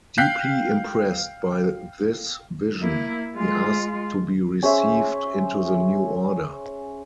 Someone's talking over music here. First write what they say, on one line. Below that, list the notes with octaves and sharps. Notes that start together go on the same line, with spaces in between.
Deeply impressed by this vision, he asked to be received into the new order.
F5 G5 F#6 G6 B6 C7
A#3 E4
G#3 F4
C#4 G#4 C5 E5